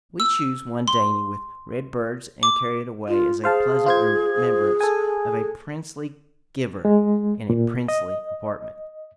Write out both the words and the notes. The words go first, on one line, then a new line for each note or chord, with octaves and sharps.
We choose one dainty with red birds, and carry it away as a pleasant remembrance of a princely giver, in a princely apartment.
E6
C6
D6
F4
G#4 C5 F5 A5
F4 C5 G#6
A4 G#5
G#3
A#2
D#5